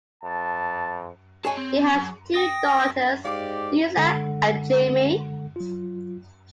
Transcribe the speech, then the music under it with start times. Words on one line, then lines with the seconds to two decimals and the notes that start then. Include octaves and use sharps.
He has two daughters, Lisa and Jamie.
0.23 F2 A5
1.45 G#4 C#5 D#5 G#5 A5
1.57 C4
1.94 F#3
2.34 G5 D#6 A#6
3.25 G#2 G4 D5 F5 D6
3.96 D3 G#3 A4 F#5
5.56 F#3 F4